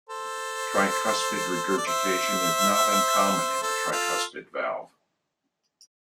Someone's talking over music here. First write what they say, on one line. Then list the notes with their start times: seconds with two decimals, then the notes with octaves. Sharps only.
Tricuspid regurgitation is not uncommon in the tricuspid valve.
0.09 A4 C5
1.78 D5
1.87 C5 E5
3.62 A4 C5
3.92 F4 A4